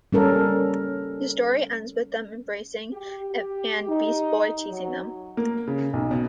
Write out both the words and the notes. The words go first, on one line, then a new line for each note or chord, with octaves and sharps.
The story ends with them embracing, and Beast Boy teasing them.
G3 C#4 A4 A#4
G4
G4
D#4
F#3
A#3
C#3
B1
B2